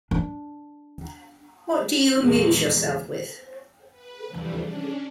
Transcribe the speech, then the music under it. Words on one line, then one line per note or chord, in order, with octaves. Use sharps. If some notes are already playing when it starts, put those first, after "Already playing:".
What do you amuse yourself with?
D4
E2 A#2 G#3
B4
C3 E3 F3 G3 A3 D4
C#4 D4